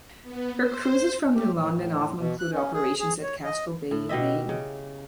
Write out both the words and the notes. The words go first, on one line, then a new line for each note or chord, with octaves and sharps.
Her cruises from New London often included operations at Casco Bay, Maine.
B3
C5
G4
A2
A2
B2
F#6
C#4
G#4
G#4
C#5
D#5
A2
B2 G4 D#5 E5
C#3